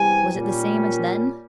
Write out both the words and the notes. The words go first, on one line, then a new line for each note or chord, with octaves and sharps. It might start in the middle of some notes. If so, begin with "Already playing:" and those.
Was it the same as then?
Already playing: E2 C3 G3 G#5
A#2 G3 C#4